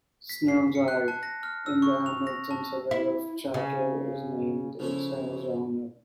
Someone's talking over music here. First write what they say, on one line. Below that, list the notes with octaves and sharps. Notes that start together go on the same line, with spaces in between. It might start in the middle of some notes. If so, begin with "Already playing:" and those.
Snell Drive, in the Hamilton suburb of Chartwell, is named in Snell's honour.
B6
C7
C#7
F#6
A5
A#6
F6
E6
C#6
F7
A#6
A5
E4
C#3
C#3 F3 A3 C#4 E4